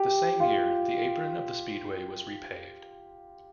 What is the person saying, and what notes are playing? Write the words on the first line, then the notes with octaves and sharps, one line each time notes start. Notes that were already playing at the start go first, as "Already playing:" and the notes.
The same year, the apron of the speedway was repaved.
Already playing: G4
F4